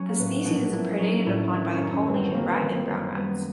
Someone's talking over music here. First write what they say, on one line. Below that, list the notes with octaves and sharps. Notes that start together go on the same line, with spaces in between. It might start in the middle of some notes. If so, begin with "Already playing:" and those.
The species is predated upon by the polynesian rat and brown rats.
Already playing: F#3 C#4
A#3
A2 B3
A#1 B3
A#3 D4 E4
F#3 C#4 D#4
A2 D4 E4
D#3 D4 E4
C#4 D#4
F#2
C#4 D#4
G1
C4 D4
G1 A#3 C4
D#3
A#3 C4
F#2
G3 B3